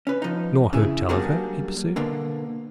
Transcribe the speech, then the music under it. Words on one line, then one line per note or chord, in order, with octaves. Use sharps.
"Nor heard tell of her?" he pursued.
C#4 B4
F3 D#4
C#3 E4 G#4
F#3 G3 A#3 D4 F#4 G#4
B2 D3 A#3